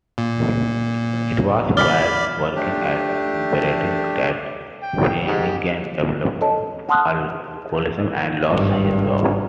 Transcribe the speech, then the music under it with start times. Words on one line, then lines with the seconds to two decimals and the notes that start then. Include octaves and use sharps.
It was while working at Brading's that Finnigan developed alcoholism and lost his job.
0.18 A#2
1.77 D5 B5 D6 F6 G7
2.55 A3 D4 G4
4.83 G5
5.26 G#2 G4
6.41 A4 C#5 D#5 A5
6.89 F#5 A5 C6 D#6 F6 F#6
8.47 G#1 G2